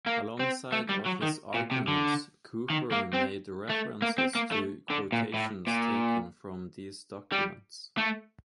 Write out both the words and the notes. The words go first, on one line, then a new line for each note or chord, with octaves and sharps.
Alongside of his arguments Cooper made references to quotations taken from these documents.
A#3
C4
A3
G3
F#3
D#3
A#2
C3
D3
D#3
A#3
C4
A3
A#3
C4
A#3
A3
D3
A#2
A2
A#2
G3
A3